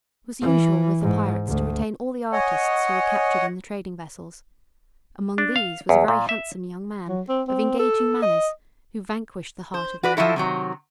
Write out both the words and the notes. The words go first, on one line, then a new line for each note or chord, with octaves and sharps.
It was usual with the pirates to retain all the artists who were captured in the trading-vessels; among these was a very handsome young man, of engaging manners, who vanquished the heart of Mary.
E3
G#2
D2
C#5 D#5 F#5 G#5
D4
F5
E2
A#2
E5
F#3
C4
C4
A4
D#5
C5
F#4 B4 D5
F3 F#3 E4 A4
C3 D#3 F#3